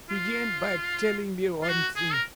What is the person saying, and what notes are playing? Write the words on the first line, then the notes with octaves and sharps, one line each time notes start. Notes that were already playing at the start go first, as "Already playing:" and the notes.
Begin by telling me one thing.
F4
F4
F#4
G#4
A#4